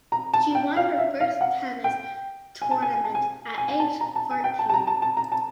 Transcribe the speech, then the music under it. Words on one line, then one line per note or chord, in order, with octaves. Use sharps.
She won her first tennis tournament at age fourteen.
A#5
A5
G5
F5
E5
F5
F#5
G5
G#5
A5
G#5
G#5
A5
G#5
G#5
G#5
A5
A#5
A5
G#5
G5
A5
A5
A#5
A5
A5
A#5
A5